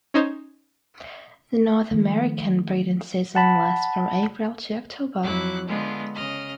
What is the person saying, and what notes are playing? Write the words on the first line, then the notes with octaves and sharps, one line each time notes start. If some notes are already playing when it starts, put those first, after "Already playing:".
The North American breeding season lasts from April to October.
C#4 D#4 C5 C#5 D#5
D#3 F3 A3
F#5 A5 B5
F2 F#3 E4 D6 F#6
D3 G#3 B3 F4
C#3 D#5 F6